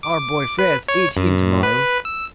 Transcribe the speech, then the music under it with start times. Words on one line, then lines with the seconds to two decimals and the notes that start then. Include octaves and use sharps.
Our boy Fred is eighteen to-morrow.
0.03 D6
0.59 B4
0.88 C#5
1.17 F#2
1.63 B4
2.05 E6